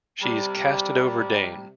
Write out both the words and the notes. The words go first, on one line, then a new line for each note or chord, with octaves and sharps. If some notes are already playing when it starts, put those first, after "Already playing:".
She’s cast it over Dane.
C3 G3